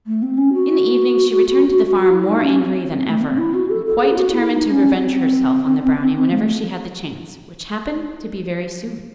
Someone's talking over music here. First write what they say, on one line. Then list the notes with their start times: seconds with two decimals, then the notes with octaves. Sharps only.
In the evening she returned to the farm more angry than ever, and quite determined to revenge herself on the brownie whenever she had the chance, which happened to be very soon.
0.07 A3
0.22 C4
0.37 C#4
0.53 F#4
1.96 F#4
2.12 E4
2.28 D#4
2.43 C#4
2.59 C4
2.91 C4
3.07 A3
3.22 C4
3.38 E4
3.54 F#4
3.70 A4
3.86 A4
4.02 G#4
4.12 E4
4.17 F#4
4.34 E4
4.49 D#4
4.70 C#4
4.91 C4
6.32 G#3
6.39 A3